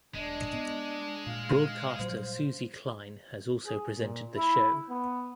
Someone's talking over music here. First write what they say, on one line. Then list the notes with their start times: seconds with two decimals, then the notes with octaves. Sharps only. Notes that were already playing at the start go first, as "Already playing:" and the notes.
Broadcaster Suzy Klein has also presented the show.
0.15 E1 G#3 D4 D#5
0.54 B3
1.27 A#2 F5
1.99 A#2 F#3 G3 C5
3.66 G#4
3.96 A#2
4.36 E4
4.89 B3